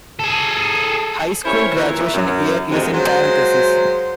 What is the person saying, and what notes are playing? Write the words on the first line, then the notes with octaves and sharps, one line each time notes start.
High school graduation year is in parentheses.
G#4 A4
G3 C#4 E4 A#4 C5 C#5
A#2 E3
F#2
D2 G#2 C3 D#3 G#3
F#3 G#3 F4 C5